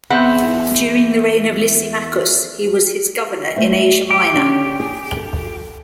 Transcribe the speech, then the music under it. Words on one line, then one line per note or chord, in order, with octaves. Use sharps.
During the reign of Lysimachus he was his governor in Asia Minor.
E2 B3 C4 G#4 B4 E5 F#5 G6
A3 C5 E5
G4
D3 C#4
G#4
A4